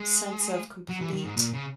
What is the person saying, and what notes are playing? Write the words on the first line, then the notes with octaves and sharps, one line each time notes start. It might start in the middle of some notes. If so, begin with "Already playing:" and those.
sense of complete
Already playing: G#3
F#3
E3
D#3
G#2
A#2
C#3